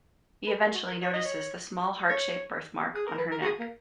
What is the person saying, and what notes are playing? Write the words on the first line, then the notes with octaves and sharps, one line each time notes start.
He eventually notices the small heart-shaped birthmark on her neck.
B4
A#4
F#4
A#4
C#5
D#5
C#5
C#5
G#4
A#4
B4
A#4
F#4
G#4
A#3